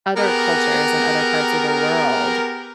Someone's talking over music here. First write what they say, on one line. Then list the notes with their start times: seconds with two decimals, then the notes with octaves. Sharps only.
other cultures and other parts of the world
0.16 B3 G4 G#4 A#4